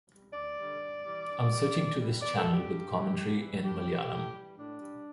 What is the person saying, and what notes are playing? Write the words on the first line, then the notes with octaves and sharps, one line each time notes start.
I’m switching to this channel with commentary in Malayalam.
G3
D2 D5
D3 G3
G2
E3 G3
G2
D3 G3
A2
E3 G3
E2 D5
A4
B2 G3
G4
G2
E3 G3
A2
E3 G3
A2 G4
G3
A2
E3 G3
A2 D4
G3